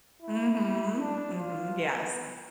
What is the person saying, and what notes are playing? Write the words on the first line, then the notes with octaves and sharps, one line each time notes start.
Mhm. Mhm. Yes.
E4
E4
D4
F4
B3